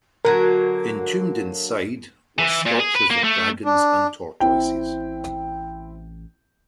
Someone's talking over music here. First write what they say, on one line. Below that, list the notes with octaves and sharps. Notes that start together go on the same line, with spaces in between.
Entombed inside were sculptures of dragons and tortoises.
D3 F#3 A#3 A#4
E3
A#2
G#4
B4
A#3
A3
D4
A1 C4 E4 G5